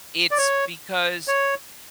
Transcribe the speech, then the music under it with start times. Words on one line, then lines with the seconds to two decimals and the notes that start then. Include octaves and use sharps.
it's because
0.31 D5
0.38 C#5
1.28 C#5